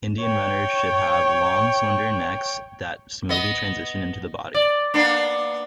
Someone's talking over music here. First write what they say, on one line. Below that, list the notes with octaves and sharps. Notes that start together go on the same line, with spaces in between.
Indian Runners should have long, slender necks that smoothly transition into the body.
C#5 G5
B3 D#5
D5
A#3 B3 D4